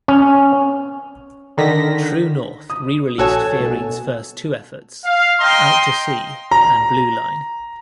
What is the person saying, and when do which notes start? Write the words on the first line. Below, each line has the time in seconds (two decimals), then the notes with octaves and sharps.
True North re-released Fearing's first two efforts "Out to Sea" and "Blue Line".
0.08 C#4
1.58 D3 D#3 A#6 B6
2.70 D#6
3.18 A#1 F#4 A4 C#5 G#5 A5 E6
3.60 B2 B3 A4
5.05 F5
5.40 D#5 G5 A#5 C6
6.51 A#5